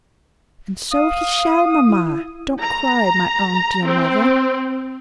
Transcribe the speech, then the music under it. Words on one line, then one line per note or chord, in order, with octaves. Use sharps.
'And so he shall, mamma; don't cry, my own dear mother.
F5 D#6
E4
A#5
C4